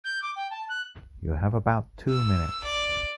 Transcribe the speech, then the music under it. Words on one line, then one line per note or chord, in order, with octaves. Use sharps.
You have about two minutes.
G6
D6
G5
A5
F#6
E6
D5